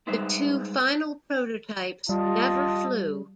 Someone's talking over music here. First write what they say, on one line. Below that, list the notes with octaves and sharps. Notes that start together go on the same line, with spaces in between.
The two final prototypes never flew.
G3 G#3 D#4 B4 C5 E5
G3 F4 D#5 A5